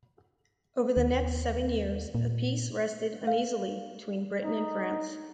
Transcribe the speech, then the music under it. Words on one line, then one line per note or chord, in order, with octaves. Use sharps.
Over the next seven years a peace rested uneasily between Britain and France.
D#2
A#2
F5
D#4